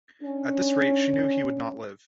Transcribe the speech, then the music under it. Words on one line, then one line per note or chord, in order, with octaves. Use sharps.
At this rate she knew he would not live.
C#4 D4